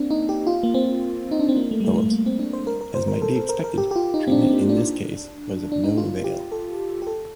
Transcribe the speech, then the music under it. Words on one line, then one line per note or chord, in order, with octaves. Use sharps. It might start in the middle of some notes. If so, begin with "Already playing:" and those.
As might be expected, treatment in this case was of no avail.
Already playing: A#3 C4 D4
D#4
G4
F4
A#3
C4
D#4
D4
C4
A#3
A3
G3
A3
A3
A#3
C4
D4
C5
A#4
A#4
C5
A#4
A4
A4
A#4
A#4
G4
G4
F4
D#4
C4
D4
C4
A#3
D4
D4
D#4
F4
G4
A4
G4
A4